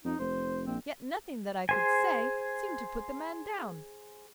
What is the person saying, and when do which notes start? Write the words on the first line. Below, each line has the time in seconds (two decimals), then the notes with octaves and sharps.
Yet nothing that I could say seemed to put the man down.
0.04 F2 D#4
0.20 F1 C5
0.67 A#1 C4
1.69 G#4 C5 G#5